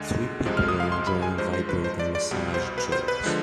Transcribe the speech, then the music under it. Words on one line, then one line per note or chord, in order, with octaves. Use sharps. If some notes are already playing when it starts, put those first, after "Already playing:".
Three people are enjoying vibrating massage chairs.
Already playing: D2 D3 G#3
C2 C3 F3 G#3
F6
D#6
F5
C6
B5
G#5
G2 F3 G#3 C5
C5
B4
C5
D5
D5
C2 B2 G3
C5
B4
C5
B4
D3 F3 G#3